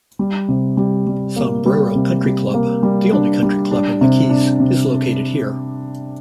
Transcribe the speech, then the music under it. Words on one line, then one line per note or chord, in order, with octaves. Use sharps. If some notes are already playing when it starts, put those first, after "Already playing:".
Sombrero Country Club, the only country club in the Keys, is located here.
G3
C3
G3
G3
A#3
G3
C3
G3
A#3
G3
D4
G3
D4
C3
D4
C3